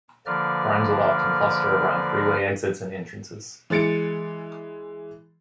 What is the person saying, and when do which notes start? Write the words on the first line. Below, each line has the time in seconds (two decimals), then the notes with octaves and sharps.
Crimes will often cluster around freeway exits and entrances.
0.26 D3 F3 A#3 B4 D5 F6
3.70 E3 G#3 A6 C#7 D7